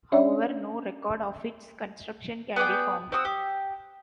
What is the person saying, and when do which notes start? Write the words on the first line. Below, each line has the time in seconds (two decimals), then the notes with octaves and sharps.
However, no record of its construction can be found.
0.12 C#4 D4 C#5 D5 E5
2.56 B3 G#4 D5 G5
3.12 C4 F#4 D#6 E6
3.25 G4